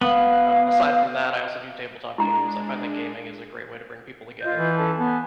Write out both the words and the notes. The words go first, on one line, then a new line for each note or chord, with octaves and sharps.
uh, aside from that, I also do tabletop games. I find that gaming is a great way to bring people together.
B3 F5
G#3 D4 E4 A#5
F4 D#5 G6
E3
C#4 A4 A5
B3 G#5 A5